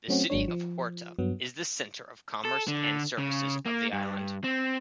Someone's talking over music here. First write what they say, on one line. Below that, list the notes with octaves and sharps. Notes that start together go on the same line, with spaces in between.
The city of Horta is the centre of commerce and services of the island.
F#3 A3 C4 C#4 F#4
G#1 F#3 G#3 D4 C#5
F3
G2 F#3 B3
A4
D3
C#3
A#3
G2
C4